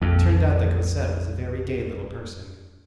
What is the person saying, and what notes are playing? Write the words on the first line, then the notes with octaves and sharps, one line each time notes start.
It turned out that Cosette was a very gay little person.
A#1 F2